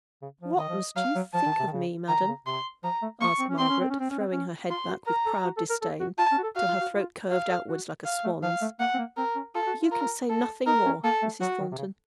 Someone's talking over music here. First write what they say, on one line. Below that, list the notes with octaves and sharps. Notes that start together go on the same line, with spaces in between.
'What must you think of me, madam?' asked Margaret, throwing her head back with proud disdain, till her throat curved outwards like a swan's. 'You can say nothing more, Mrs. Thornton.
C#3
F3
D#3 D#5
F3
F#3 F5
F#3
F3 A5
D#3
C3
D#3
C#3
D#3 A#5
D#3
C#3
C3 C6
F3 A#5
A3
A#3 C#6
C4
C#4
C4 C6
C#4
C4
C#4
C4
C#4
C4
C#4
F4 C6
F#4
A#4 A#5
A4
F#4
A4
A#4
A4
F#4
F4 A5
C#4
F#4
A4
F#4 F5
F4
F#4
F4
F#4 F5
A4
F#4
F5
A3
F3 F5
A3
A#3 F#5
C4
A#3
C4 A#4
C#4
F4 A4
F#4
F4
A#4
A4
D#4 A#4
C#4
A#3 A4
A3
F#3 F#4
D#3
C3
C#3